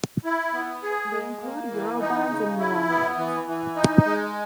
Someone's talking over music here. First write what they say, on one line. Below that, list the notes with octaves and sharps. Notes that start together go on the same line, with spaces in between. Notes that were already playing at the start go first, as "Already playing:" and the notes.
They include eurobonds and euronotes.
E4
B3
G#4
G#3
A#3
E3
D#4
C#3
E4
B3
E3
E3
D#4
G#3